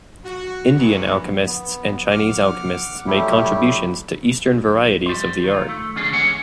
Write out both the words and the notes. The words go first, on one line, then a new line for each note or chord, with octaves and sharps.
Indian alchemists and Chinese alchemists made contributions to Eastern varieties of the art.
F#4
G2 E3 A#3 B3 F#4 F#5
B3
F#5 D6 F6
F#3 G3 A3 E4 G4
G3 C5
D#3 F4
A3
D3 A3 C#4 D4 G#4
E2 D3 G#3 C#5 F#5 G#5